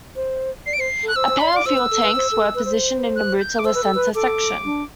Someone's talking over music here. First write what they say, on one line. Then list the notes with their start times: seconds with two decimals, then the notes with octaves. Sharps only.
A pair of fuel tanks were positioned in the roots of the center section.
0.16 C5
0.66 D5 C7
0.73 D7
0.78 C5 C7
1.03 A4
1.08 F#6
1.16 C5 E6
1.28 C5
1.39 D5 B5
1.48 C6
1.53 D5 D6
1.66 C5 E6
1.78 B4
1.91 A4
2.03 B4
2.16 C5
2.32 A4
2.55 B4
2.65 C5
3.16 F#6
3.40 G6
3.59 D6
3.64 C5 E6
3.75 B4
3.84 A4
3.95 B4
4.15 A4 D6
4.65 D4